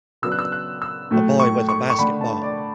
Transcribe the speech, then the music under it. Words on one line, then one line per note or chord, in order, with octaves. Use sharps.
A boy with a basketball.
C#3 F#3 B3 D4 E6
F#6
E6
F#6
E6
A2 F#3 A3
C#6
C#6
C#6
D3 A3 D4 B5
A5
D5